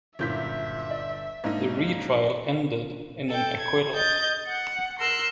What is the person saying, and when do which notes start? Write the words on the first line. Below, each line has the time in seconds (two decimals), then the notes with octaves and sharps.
The retrial ended in an acquittal.
0.19 G1 F#2 A#2 E4 E5 G6 B6
0.90 D5
1.44 G#2 A#3 D4 D#4
3.28 A4 G5
3.59 G#6
3.94 D#5 G6 A6
4.46 F#5
4.98 A#4 C6 E6 F#6